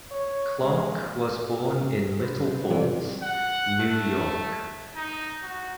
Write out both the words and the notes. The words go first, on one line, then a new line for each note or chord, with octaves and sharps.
Clarke was born in Little Falls, New York.
C#5
G#3
A#2
F#3 B4 C5
G2 C3 E3
F#5
A3
D#4
F#4